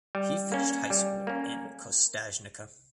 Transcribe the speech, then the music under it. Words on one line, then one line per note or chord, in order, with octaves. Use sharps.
He finished high school in Kostajnica.
G3
A#3 C#4
G3
A#3 C#4